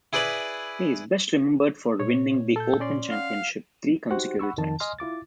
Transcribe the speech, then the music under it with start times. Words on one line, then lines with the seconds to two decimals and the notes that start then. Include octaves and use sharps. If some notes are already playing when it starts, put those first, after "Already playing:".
He is best remembered for winning the Open Championship three consecutive times.
0.13 E4 G#4 B4 D5 B5
2.00 A#2 C#5
2.56 A4 E6 G6
2.80 C#4 D5 C6
3.11 F5 F#5
4.11 D#4 F#4 G4 C5 F#5
4.39 F#5 B5 C#6 E6
4.58 F2 D#3 A5
4.80 D#5 G#5 C6 F6
4.99 E4 F4 D6 A6